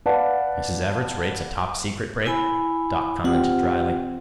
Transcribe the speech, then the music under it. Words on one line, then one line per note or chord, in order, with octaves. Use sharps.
"Mrs. Everts rates a topsecret break?" Doc commented dryly.
B4 D5 F5 F#5 A5
E4 G#5 B5
C4 F4 G4 F#5